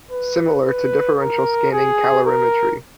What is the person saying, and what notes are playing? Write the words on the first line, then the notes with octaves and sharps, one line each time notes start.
Similar to differential scanning calorimetry.
B4
B4
A#4
G#4
A#4